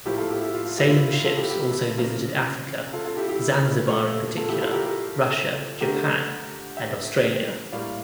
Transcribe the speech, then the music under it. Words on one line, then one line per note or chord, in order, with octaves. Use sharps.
Salem ships also visited Africa - Zanzibar in particular, Russia, Japan, and Australia.
A2 F3 A#3 E4 G4
F4 A4
E4 G4
E4 G4
F4
F4
E4 G4
F4
E4
F4
F4 A4
E4 G4
E4 G4
C#3 F3 A#3
F4 A4
F4 A4
E4 G4
E4 G4
A#2 F3 A3
F4 A4
E4 G4
F4 A4
G4 A#4
G4 A#4
D3 A3 G4 A#4
E5 G5
A2 G3 A#3 D5 F5